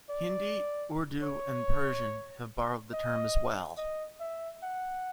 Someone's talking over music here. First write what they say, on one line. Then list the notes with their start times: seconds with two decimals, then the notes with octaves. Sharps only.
Hindi, Urdu and Persian have borrowed the term as well.
0.09 D5
1.22 C#5
2.93 D#5
3.77 D#5
4.20 E5
4.63 F#5